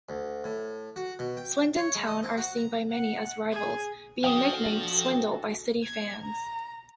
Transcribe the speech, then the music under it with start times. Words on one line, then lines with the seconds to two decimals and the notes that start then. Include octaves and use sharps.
Swindon Town are seen by many as rivals, being nicknamed 'Swindle' by City fans.
0.09 D2
0.44 A2
0.96 F#4
1.19 B2
1.37 G5
1.77 C#5
1.95 G#3
2.07 D#5
2.23 C4
2.37 F#4
2.57 A#5
2.91 F#5
3.51 G#4
4.24 F3 D4 F#4 A4 G5 D#6
5.83 G#6
6.22 A#5